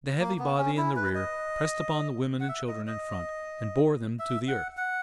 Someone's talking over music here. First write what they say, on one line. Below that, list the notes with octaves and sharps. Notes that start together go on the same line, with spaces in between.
The heavy body in the rear pressed upon the women and children in front, and bore them to the earth.
A#3
B3
C#4
E4
B4
D#5
F#5
E5
D#5
D#5
E5
F#5
F#5